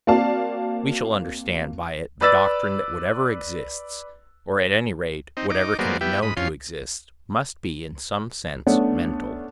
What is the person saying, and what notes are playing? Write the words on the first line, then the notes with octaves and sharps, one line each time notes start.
We shall understand by it the doctrine that whatever exists, or at any rate whatever can be known to exist, must be in some sense mental.
A#3 C4 F#4 D5 F5 A5
B4 D5 E6 A6
C4 D#4
D#4 D6
F#3 G#3 A#3 B3 C5 D5
G3 B3 E4 G4
G#2 B5 D#6
F2 C#4 F4 C6
A3 B3 C#4 D4